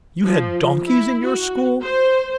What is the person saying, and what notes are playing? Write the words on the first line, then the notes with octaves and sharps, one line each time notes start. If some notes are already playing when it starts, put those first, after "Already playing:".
You had donkeys in your school?
F3
E4
F#4
C5